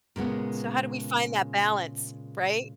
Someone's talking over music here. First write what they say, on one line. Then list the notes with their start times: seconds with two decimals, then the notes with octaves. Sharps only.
So how do we find that balance, right?
0.16 A#2 C#3 G#3 B3